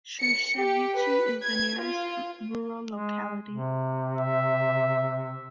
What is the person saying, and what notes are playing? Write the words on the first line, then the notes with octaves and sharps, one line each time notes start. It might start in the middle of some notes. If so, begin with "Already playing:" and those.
Shershevichi is the nearest rural locality.
C#7
G4
B4
G#6
F4
G#3
C3
E5